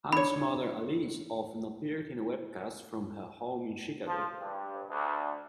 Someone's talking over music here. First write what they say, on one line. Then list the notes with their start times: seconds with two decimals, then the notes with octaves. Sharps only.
Hunt's mother Alice often appeared in webcasts from her home in Chicago.
0.13 D4 C#5 B5
4.08 F3
4.40 G2
4.89 D2